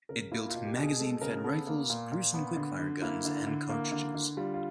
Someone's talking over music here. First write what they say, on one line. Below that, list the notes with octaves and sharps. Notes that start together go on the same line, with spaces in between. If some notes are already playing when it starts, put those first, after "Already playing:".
It built magazine-fed rifles, Gruson quick fire guns, and cartridges.
C#3 A#4
A#3 E4
F4
B2
G4
B2
G#4
G#3 A4
C#3 A#4
B3 A4
A#3
A#2
A#2
B3
D3
D3
A#3 E4
D3
D3
A#3
D3
D3
G3 F4
F4